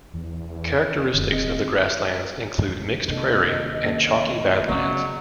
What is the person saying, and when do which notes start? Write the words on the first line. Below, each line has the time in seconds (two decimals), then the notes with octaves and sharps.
Characteristics of the grasslands include mixed prairie and chalky badlands.
0.14 E2
1.14 D#1 F2 D3
1.31 C4 G#4 D#5
3.08 D#2 C3 D4 A4 D#5
3.84 A#3 C#4 A4
4.69 C#3 F#3 B3 C#4 D5 F5